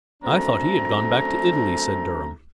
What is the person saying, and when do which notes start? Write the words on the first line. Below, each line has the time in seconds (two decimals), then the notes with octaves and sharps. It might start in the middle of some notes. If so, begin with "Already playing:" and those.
"I thought he had gone back to Italy," said Durham.
0.23 F#2 A3 C4 D4 A4 A#5